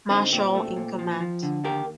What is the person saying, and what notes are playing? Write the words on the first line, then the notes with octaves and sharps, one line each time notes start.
Marshall in command.
D3 C4 D#4
A#2 C4
A3
A#2
F3
F3
D3
D#2 G4 A#4